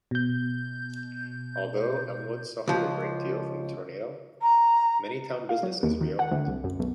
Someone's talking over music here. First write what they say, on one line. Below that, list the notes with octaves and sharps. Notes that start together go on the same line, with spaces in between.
Although Elmwood suffered a great deal from the tornado, many town businesses re-opened.
B2 G6
C#2 F3
A#5
F5
F#3
D#2
D#3
F#5
D2
C2
F#2
B1